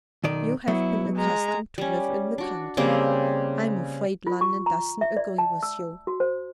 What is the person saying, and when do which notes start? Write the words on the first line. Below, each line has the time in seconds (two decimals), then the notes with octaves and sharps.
"You have been accustomed to live in the country; I am afraid London doesn't agree with you."
0.24 B1 D#3 D5
0.68 F#3 B3 E4
1.16 G#3 A#5
1.78 G3 C#4
2.38 D4 F#4
2.77 C#3 G3 A#3 C4
4.27 F4
4.41 C#6
4.66 A#5
5.01 E5
5.17 D5
5.38 A5
5.63 E6
6.07 F#4
6.20 C5